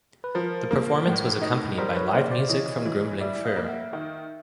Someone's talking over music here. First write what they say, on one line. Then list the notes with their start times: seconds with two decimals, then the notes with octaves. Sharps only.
The performance was accompanied by live music from Grumbling Fur.
0.24 B4
0.35 F3 A#4 C5
0.71 A#3
1.07 A2
1.41 D#4
1.78 G3 A#4 C5
1.96 B4 C#5
2.13 A#3 C5 D5
2.31 C5 D5
2.49 E3 C#5 D#5
2.85 E3
3.21 G3 D5 E5
3.45 D#5 F5
3.56 A#3
3.69 E5 F#5
3.93 D#3